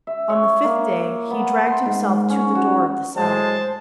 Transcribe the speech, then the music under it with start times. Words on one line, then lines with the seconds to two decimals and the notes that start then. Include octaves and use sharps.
On the fifth day he dragged himself to the door of the cell.
0.07 E5
0.30 C#5
0.65 A#3
1.30 B3
1.67 C6
1.86 G#2
2.30 C#4
2.55 F#4
3.17 A2 F#3 G#3 C5 A5